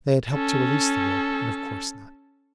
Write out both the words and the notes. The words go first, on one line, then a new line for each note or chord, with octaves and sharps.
They had helped to release the rope, and of course not.
C#4 A4